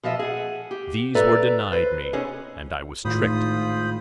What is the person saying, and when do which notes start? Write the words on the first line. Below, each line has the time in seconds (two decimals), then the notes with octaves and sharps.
These were denied me, and I was tricked.
0.03 B2 F3 D#5 E5
0.19 G#4 F#5
0.71 G4
1.15 A4 B4 D5 E5 A#5
1.72 B4 C5
2.13 C3 B3 C#4 D#4 G#4
3.05 G#1 A2 F4 C5 B5 D#6